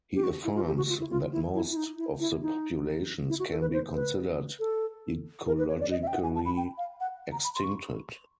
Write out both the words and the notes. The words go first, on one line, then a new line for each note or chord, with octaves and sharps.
He affirms that most of the populations can be considered ecologically extincted.
G4
F#4
E4
F4
G4
F#4
F4
E4
F4
E4
E4
E4
D#4
E4
E4
D#4
E4
F#4
A4
B4
C5
B4
A4
A#4
B4
C#5
D5
D#5
E5
G5
F#5
G#5
A5
B5
G5
F5
F#5
A#5
B5
C6
C#6